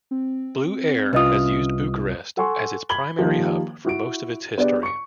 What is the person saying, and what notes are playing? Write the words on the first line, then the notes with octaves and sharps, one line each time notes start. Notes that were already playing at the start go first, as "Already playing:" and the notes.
Blue Air has used Bucharest as its primary hub for most of its history.
C4
C2 C#4 F4 B4 D#5 D#6
A4 F#5 G#5 C6 C#6
B5 G#6 F#7 G7
D#3 F3 G3 A#3
E4 F#4 D7
B3 D4 G4 G#4 D5
C#6 C#7